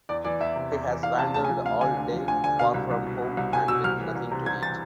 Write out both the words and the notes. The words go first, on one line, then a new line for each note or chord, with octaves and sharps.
He has wandered all day, far from home and with nothing to eat.
E2 D5
E3 D5
E2 E5
C3
E2
E3
E2 F5
C3 A5
D2 A5
G#5
F3
D2 F5
D3 G#5
D2
F3
D2 G#5
D3 G#5
B2 F5
C2
C2
B2
B2
C2
C2 G#5
B2 E6
C2 F6
E3
C2
C3
C2 G#6
E3 A6